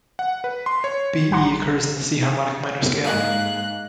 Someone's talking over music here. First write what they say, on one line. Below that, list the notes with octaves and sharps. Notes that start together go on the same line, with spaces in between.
B-E occurs in the C harmonic minor scale.
F#5
B4
C6
C#5
A1 G3 F#5 A#5 C6
G#2 G#3 A#3 F#6